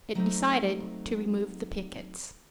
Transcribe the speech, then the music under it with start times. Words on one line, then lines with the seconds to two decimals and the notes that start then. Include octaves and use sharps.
It decided to remove the pickets.
0.15 F#3 A3 C4 D#4